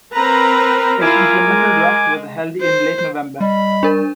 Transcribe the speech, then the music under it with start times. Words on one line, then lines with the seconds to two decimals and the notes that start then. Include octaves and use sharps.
A supplemental draft was held in late November.
0.13 C4 A#4 B4 A#5
1.01 E4 F4 G#5 D6
1.48 G#3
2.61 C5
3.40 G3 D#5 B5
3.83 D4 A#4